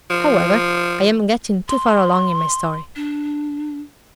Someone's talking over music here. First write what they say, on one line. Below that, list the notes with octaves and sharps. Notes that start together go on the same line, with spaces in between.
However, I am getting too far along in my story.
F3
C6
D4